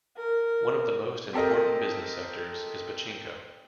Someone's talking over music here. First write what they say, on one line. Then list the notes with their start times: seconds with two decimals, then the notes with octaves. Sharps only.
One of the most important business sectors is pachinko.
0.16 A#4
1.33 C4 G4 A4 A#4 D#5